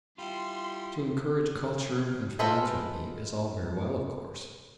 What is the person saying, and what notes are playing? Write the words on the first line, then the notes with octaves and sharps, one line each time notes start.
To encourage culture and philanthropy is all very well of course.
G3 E4 F4 C6
G#3 F4 A4 B4 C5